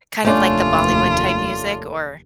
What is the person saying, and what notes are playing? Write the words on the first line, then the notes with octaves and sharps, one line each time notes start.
Kind of like the Bollywood type music or
F1 D#2 A3 C#4 D4 F4